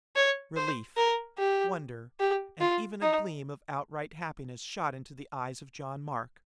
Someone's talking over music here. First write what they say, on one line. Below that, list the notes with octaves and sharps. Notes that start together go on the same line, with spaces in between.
Relief, wonder, and even a gleam of outright happiness shot into the eyes of John Mark.
C#5
C5
A#4
G4
G4
F4
D#4